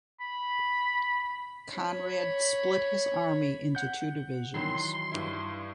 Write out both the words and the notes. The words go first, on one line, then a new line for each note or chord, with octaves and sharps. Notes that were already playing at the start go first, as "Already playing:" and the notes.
Conrad split his army into two divisions.
B5
C#5 B5
F#5 G6
D#3 E3 F#3 C6
G2 E4